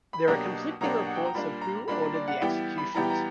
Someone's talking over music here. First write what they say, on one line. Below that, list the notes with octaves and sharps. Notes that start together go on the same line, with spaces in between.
There are conflicting reports of who ordered the executions.
B5
B2 F#3 A#3 D4 G4 A#5
B2 F#3 A#3 D4 G4 A#5
F#5
G5
A#5
A#2 G3 A#3 D4 B5
A#5
A#2 G3 A#3 D4 B5
A#5
D5
F#5
E3 G3 B3 E4 G4 G5
B5
E3 G3 B3 E4 G4 A#5
G5
A#5